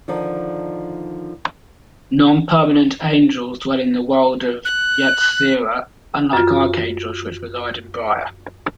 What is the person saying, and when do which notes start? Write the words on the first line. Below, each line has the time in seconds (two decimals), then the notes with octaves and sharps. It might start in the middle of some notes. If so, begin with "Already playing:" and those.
Non-permanent angels dwell in the world of Yetzirah, unlike archangels which reside in Briah.
0.08 D3 D#3 F3 D4 D#4
4.65 F#6
6.33 F#2 F4